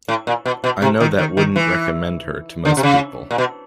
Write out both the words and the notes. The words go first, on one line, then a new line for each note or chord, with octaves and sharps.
I know that wouldn't recommend her to most people.
A2
A#2
B2
B2
C3
D#3
D#3
D#3
E3
D3
C3
C#3
A#2
B2